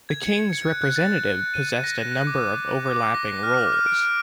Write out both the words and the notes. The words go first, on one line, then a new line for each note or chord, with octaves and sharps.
The King's representative possessed a number of overlapping roles.
G#6
C#7
C#7
C#7
F#6
F#6
A6
F#6
F#6
F#6
D#7
F#6
A#6
F#6
F#6
D6
F#6
D6
F#6
D6
D6
A#6
A#6
F6
D6
F6
D7
D7